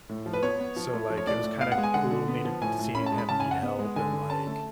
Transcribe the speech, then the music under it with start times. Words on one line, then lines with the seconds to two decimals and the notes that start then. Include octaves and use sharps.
So, like, it was kinda cool needed seeing him need help and, like,
0.09 A2
0.26 F3
0.33 B4
0.43 B3 C#5
0.60 B3
0.76 F3
0.93 A3
1.10 F3
1.17 C#5
1.27 A2 D5
1.44 A2
1.61 B3 F5
1.72 F#5
1.78 G#3
1.83 G#5
1.94 D3 F#5
2.11 D3
2.28 B3
2.45 F3
2.61 A2 G#5
2.79 A2
2.95 C#4 B5
3.06 A5
3.12 G#3
3.18 B5
3.29 C#3 A5
3.40 G#5
3.45 C#3
3.51 F#5
3.62 B3
3.79 G#3
3.96 D3 G#5
4.13 D3
4.30 C#4 A5
4.47 A3